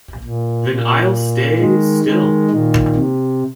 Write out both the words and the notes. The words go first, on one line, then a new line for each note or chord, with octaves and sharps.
Then I'll stay still.
A#2
A#2
D#3 G#3
D#3 G#3
A#2 D#3
C3